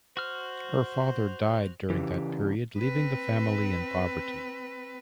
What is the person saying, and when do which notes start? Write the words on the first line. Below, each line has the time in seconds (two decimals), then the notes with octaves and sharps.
Her father died during that period, leaving the family in poverty.
0.17 F#4 C5 F6
1.90 C#3 E3 G4
2.77 C4 B4